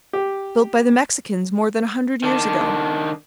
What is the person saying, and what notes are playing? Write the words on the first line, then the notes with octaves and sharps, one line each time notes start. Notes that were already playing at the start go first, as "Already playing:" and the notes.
"Built by the Mexicans more than a hundred years ago."
G4
D#3 D4